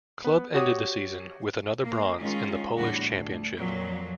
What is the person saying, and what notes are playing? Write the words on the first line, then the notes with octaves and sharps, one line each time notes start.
Club ended the season with another bronze in the Polish Championship.
B3
F#4 G4 C#5 D#6
A#3
D#3 G#3 C#4 F4
E2 A2 D3 G3 F#4
D2
F2 A#2 F#3